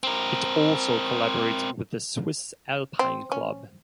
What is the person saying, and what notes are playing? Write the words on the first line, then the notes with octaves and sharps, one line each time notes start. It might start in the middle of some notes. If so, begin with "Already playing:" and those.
It also collaborates with the Swiss Alpine Club.
C4 A#4
C4
C#4